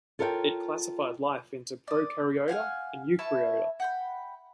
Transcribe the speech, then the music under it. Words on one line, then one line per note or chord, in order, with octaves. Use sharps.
It classified life into Prokaryota and Eukaryota.
F4 A4 A#4 C#5 F5 G5
D5 D#6
F5 F#5 G#5 F6
E4 B4 A5 C#6
F#5 G5 B5